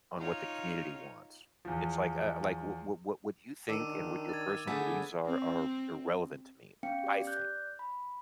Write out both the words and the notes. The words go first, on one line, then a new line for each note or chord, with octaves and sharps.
on what the community wants. It's like, uh, like, what what what you think and what your personal beliefs are are irrelevant to me, I think.
D#4 F4 C#5
E2 F3
D#3 D4 D6 E6 D#7
G#6 A6
D3 A3 B3 G#4 B6
C4
B3 C#4 F5 G5 C#7
G4 D5
D5 F#6 G6
B5